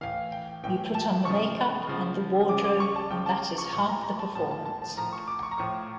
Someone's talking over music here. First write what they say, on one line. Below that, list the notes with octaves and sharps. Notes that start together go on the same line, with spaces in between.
You put on the makeup and the wardrobe, and that is half the performance.
A2 E3 F5
G5
A2 E3 G5
A5
C#3 F3 C#6
C#3 F3
C#3 F3 D6
D6
C#6
A5
C#3 F3 G5
A5
C#6
A2 F3 C#6
A#5
A#5
A5
A2 F3 A5
A5
A5
A5
A2 F3 A#5
C#6
D6
C#6
A#5
A2 F3 C#6